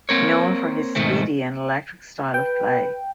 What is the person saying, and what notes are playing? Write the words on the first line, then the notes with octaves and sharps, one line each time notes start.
Known for his speedy and electric style of play.
A#3 C4 A#4 C#5
G#2 B2 D#3 A3 C4
B4 G5